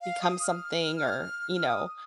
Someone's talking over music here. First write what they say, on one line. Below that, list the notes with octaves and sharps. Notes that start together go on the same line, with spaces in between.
become something or, you know.
F5
D#6
F6
D#6